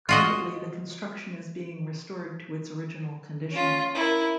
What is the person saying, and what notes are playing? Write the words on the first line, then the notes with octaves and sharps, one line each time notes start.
Currently, the construction is being restored to its original condition.
F4 F#4 D#5
C#4 F4
E4 A#4